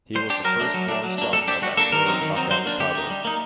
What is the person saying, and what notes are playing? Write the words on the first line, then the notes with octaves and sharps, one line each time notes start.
He was the firstborn son of Emperor Nakamikado.
G3 C5
D4 G4
F#3 A#4
A3 D4
F#3
A3 D4
F#3
A#3 D4
G3 A4
D4 G4
G3 F#4
A#3 D4 A4
D#3 A#4
F#3 C4 D#4
D#3
F#3 C4 D#4
F#3 C5
A#3 D4
D3 G4
A3 D#4
G3
A#3 D#4